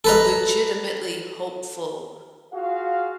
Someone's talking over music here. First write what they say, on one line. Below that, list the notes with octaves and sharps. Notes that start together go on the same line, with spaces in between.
a legitimately hopeful,
A4 B4 A#5
F4 F#4 G#4 F5